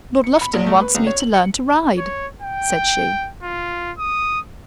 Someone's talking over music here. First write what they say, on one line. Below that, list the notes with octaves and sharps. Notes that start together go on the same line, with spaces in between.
"Lord Lufton wants me to learn to ride," said she.
C#7
B5
A#1
A3
B4
C#2
C#5
F#7
C#7
C#5
G5
F4
D#6